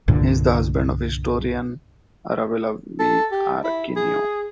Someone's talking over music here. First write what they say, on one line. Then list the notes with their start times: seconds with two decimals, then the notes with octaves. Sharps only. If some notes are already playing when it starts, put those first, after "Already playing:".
He is the husband of historian Arabela V. Arcinue.
0.08 C2 G2 A#2 D3
2.99 A4
3.32 G4
3.64 E4
3.96 G#4